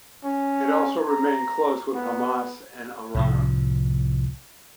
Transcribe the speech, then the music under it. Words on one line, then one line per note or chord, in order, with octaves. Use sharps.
It also remained close with Hamas and Iran.
C#4
A#5
B3
C2 A2 F3